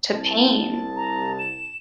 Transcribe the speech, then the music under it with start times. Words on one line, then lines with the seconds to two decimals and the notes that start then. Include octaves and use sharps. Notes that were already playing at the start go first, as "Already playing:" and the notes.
to pain.
0.13 C2 A5
0.96 A#5
1.39 E7